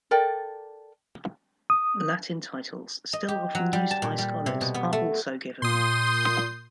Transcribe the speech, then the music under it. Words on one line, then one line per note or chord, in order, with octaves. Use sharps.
Latin titles, still often used by scholars, are also given.
A4 A#4 D5 G5
D#6
D#5
G4
F#3
G3
A5
A#2
G3
C3
B2
B3
A3
A#2 C6 D#6 G6